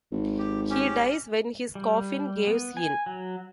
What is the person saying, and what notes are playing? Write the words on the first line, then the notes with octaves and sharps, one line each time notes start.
He dies when his coffin caves in.
G#1
G4
C#4 G4
G3
B3
G#5
F#3